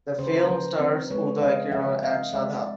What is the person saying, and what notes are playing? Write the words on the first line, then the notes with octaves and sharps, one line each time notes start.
The film stars Uday Kiran and Sadha.
C#3 C5
B4
A#4 C5
F3
C4
G#3 B4 C#5
C#3 D#5 F5
F3 E5 F#5
C4 D#5 F5
G#3 D5 E5
D5